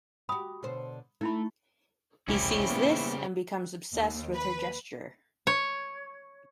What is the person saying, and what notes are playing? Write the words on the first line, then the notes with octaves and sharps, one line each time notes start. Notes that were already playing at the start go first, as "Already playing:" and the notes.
He sees this and becomes obsessed with her gesture.
F#4 G4 B5 D#6
B2 D3 C5
A3 D#4 E4 B5
E1 C2 C#3 G3 C#4 E4 G4 C5
A#3 B3
D#2
B4
C#5